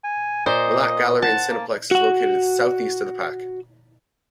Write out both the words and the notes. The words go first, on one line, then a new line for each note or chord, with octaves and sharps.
Mellat Gallery and Cineplex is located to the southeast of the park.
G#5
A#2 C5 D#5
F#5 A5
A#3
F#4 F#5